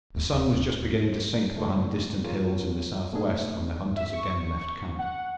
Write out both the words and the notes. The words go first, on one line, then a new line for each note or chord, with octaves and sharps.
The sun was just beginning to sink behind the distant hills in the southwest when the hunters again left camp.
D1 D#2
C#2 A2 G#3 A3 D#4 D5
F4 G#4 A#4 C#5
B2 A3 A#3 D4 D#4 G#4
E5
C#6
F#5